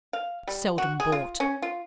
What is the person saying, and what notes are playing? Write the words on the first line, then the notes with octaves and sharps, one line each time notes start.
Seldom bought.
F5
G3
F#4
G#4
F4
C#4
F4